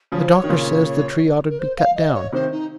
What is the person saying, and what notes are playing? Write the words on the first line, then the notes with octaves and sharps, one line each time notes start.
"The doctor says the tree ought to be cut down."
C#3 F3 C#5
C5
C#5
D#3
A#2 C#3
A#4
C5
F5
D#5
C#5
C3 D#3 C5
D#4